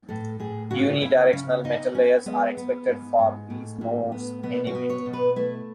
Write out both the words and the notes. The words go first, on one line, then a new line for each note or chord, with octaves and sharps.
Unidirectional metal layers are expected for these nodes anyway.
A2 A4
A2 G#4
C#3 F#4
C#3 E4
C#3 C#4
B3 D#4
B3 C#4
G#3 B3
B3
G#2
G#2
A2
A2
B3
B2 B3
F#4
B3
C#5
B2
B4
A3 E4